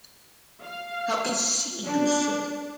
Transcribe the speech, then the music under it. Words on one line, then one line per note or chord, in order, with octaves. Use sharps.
How can she do so?
F5
D4